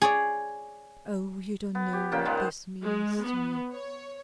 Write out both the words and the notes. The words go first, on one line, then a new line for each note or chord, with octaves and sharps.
"Oh, you don't know what this means to me."
G#4 C#5 D5
B3
G4
A#2 C#3 A#3 G5
D#3 G#3 B3
C5
G#3
B3
C#5